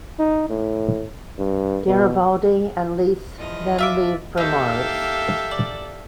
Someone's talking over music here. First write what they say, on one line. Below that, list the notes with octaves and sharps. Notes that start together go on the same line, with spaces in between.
Garibaldi and Lise then leave for Mars.
D#4
A2
G2
B2
E2 F3 D#5
F4 E5 D6
A#3 D#4 G4 A4 E5 F5 G5
D5